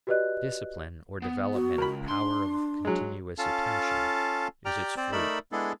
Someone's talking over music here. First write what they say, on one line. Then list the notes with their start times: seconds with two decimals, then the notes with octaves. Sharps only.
Discipline or development of power of continuous attention is its fruit.
0.07 F#4 G4 B4 D5 D#5 F#6
1.22 B3
1.54 F#4
1.78 C#2 A#4 B5
2.08 D4 C6
2.85 F#3 G#3
3.38 C#4 F4 A4 F5 A5
4.65 G4 D5 G5 A#5 F6
4.97 C4 C5 D5
5.12 A3 D#4 A#4 D5 B5 E6
5.52 G#3 B3 D4 E4 G#4 A4